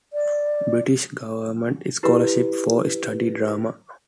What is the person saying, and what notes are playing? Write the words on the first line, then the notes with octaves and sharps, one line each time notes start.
British government scholarship for study drama.
D5
E4 G4 B4